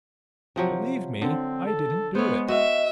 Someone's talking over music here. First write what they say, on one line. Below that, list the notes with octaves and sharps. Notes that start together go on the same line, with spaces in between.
Believe me, I didn't do it.
C3 F3 F#3
D3 C4
A4
G#3 B3 C5 C#5
F#4 D#5 E5